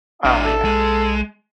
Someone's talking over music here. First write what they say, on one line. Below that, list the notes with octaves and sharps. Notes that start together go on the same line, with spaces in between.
Oh, yeah.
A1 D4 E4
A4
B1 G#3